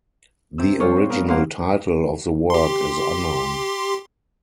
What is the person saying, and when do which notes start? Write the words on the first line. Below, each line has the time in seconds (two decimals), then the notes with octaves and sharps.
The original title of the work is unknown.
0.58 C3 C4 E6
0.80 G3 D4 F4 C5 C#5
0.96 C4
1.09 B3 A#4 F5
1.28 A#3 F#4 C5 F5 C6
2.50 G4 C6